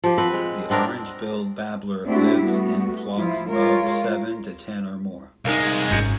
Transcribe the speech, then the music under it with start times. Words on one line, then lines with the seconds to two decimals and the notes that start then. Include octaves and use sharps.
The orange-billed babbler lives in flocks of seven to ten or more.
0.04 F3 G4
0.18 C4 B4 F#5
0.34 G#3
0.70 B3 C4 D4 A#4
2.06 A3 C4 D4 E4 F#4 G4
2.39 G3 A3 B3 F#4
3.16 F3 E4 F4
3.50 G#3 F4 A#4 C#5
5.45 C2 G#3 D#4 A#4 F5
5.90 G#1 F#2 G6 C#7